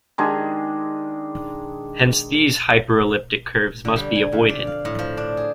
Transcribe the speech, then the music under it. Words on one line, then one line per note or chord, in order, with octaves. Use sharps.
Hence these hyperelliptic curves must be avoided.
D#3 G#3 D4 G#4
D3
G3
G#5
F2
D5
F5
A2
F3
D4
G#4